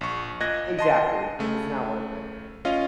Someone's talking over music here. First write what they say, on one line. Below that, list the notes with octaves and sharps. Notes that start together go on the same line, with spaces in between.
Exactly, it's not worth it.
A#1 C#6
A#2 D#5 F#6 G#6 A#6
D#5 A5 C6
C#3 A3
C#4 F4 D#5 F5